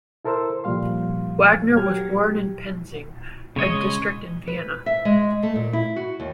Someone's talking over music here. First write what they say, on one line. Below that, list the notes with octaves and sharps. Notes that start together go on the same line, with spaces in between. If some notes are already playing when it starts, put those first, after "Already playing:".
Wagner was born in Penzing, a district in Vienna.
E4 A4 A#4 C5 C6 E6
C2 A#2 F3 G3 F5 C6
F#3 G4 F6 G#6
C#3 G#3 C#5 D#5
B4
E5
G#3
A3
A#2
E4
F#4
D#2